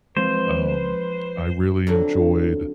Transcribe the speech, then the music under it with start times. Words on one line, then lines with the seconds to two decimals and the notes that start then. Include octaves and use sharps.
um, I really enjoyed.
0.17 F3 G#3 C4 B4 C5
1.87 F2 D3 F#3